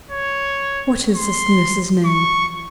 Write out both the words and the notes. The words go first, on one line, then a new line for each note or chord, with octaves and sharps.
"What is this nurse's name?"
C#5
C6
C#6